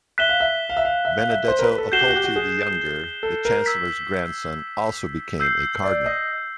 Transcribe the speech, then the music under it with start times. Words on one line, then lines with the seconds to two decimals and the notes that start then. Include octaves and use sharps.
Benedetto Accolti the Younger, the chancellor's grandson, also became a cardinal.
0.18 E5 F#6 B6 E7 G7
0.29 F5
0.40 E5
0.69 F5
0.77 E5
0.85 F5
1.05 E5
1.18 F5
1.30 E5
1.48 C5
1.59 A#4
1.63 B4
1.78 A4
1.92 F#4 G6 C7 E7 G7
2.01 G4
2.08 F#4
2.16 G4
2.24 F#4
2.36 G#4
3.23 A4
3.45 A#4
3.66 E6 G#6 B6
5.40 E6 G6 C7
5.83 D5
6.06 D#5